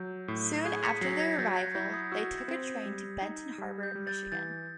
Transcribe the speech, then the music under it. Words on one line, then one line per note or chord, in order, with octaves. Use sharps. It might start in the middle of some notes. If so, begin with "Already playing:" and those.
Soon after their arrival, they took a train to Benton Harbor, Michigan.
Already playing: F#3 G6
A2
G#4 F#6 G#6
B6 C#7
F#3 A#6 C7
G#6 A#6
F#3 G6 A6
F#6 G#6
E4 G6
D#6
F#4 E6
C4
G3
D#4
G3
G6
G3
G6 A6
E3 G6 A6